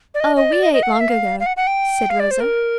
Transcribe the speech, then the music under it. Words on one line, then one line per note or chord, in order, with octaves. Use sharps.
"Oh, we ate long ago," said Rosa.
D5
D#5
D#5
D5
D#5
D#5
F#5
F5
E5
F5
F5
F#5
F#5
G5
F5
D5
C5
A#4